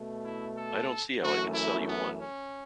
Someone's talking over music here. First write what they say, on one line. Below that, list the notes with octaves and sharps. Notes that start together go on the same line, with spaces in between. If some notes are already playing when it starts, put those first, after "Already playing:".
I don't see how I can sell you one.
Already playing: B2 A3
E4
A4
F#2 E3 A3 F#4
E4
B3
C#4